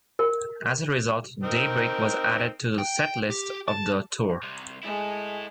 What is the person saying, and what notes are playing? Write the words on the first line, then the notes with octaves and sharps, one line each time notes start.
As a result, "Daybreak" was added to the set-list off the tour.
A#4
C4 D#4 A#4
G5
G4
A5
C2 C3
G#3 E4 A4